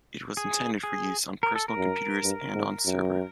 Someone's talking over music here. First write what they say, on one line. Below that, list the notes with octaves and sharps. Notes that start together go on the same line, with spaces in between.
It was intended for use on personal computers and on server.
G#4
G#4
A#4
A4
A#4
F#2
G2
G#2
F#2